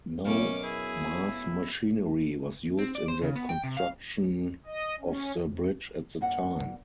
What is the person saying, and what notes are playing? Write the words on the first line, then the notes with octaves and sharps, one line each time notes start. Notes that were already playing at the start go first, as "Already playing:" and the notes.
No mass machinery was used in the construction of the bridge at the time.
F#2 B2 C#4 F5 D6
E4 G#4
C4
D5
C5
C#3
B3
G5
C3
F5
D#5
C#4
F2
G2 A#3 F#5